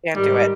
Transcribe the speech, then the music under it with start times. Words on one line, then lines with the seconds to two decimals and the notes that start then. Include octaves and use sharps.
Can't do it.
0.13 G#2 D#3 G3